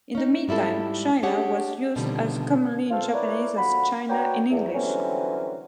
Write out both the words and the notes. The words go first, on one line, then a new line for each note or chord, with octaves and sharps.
In the meantime, "Shina" was used as commonly in Japanese as "China" in English.
C#4 D#4
G#2 G3 E4 F4 A4
A3 D4 G4 G#4 C#5 F#5
B2 D3 D#3 F3 G3
F4 A4 C5 F5
E4 A#4 B4 C#5 D5
D3 F3 F#4 B5
F#4 B4 C#5 D5 G5 A#5
E2
D3 E3 F#3 G3 C4 C#4